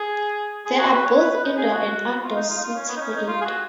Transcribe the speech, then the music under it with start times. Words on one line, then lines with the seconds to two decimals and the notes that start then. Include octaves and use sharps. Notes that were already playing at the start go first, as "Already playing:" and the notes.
There are both indoor and outdoor seats for it.
Already playing: G#4
0.66 G#4
0.79 F#4
0.92 B4
1.06 C#5
1.18 B4
1.31 B4
1.44 D#4
1.57 G#4
1.71 F#4
2.23 F4
2.36 D#4
2.50 F4
2.57 D#4
2.63 F4
2.76 C#4
2.88 B3
2.96 D#4
3.01 C#4
3.16 D#4
3.27 F4
3.41 G#4
3.45 F#4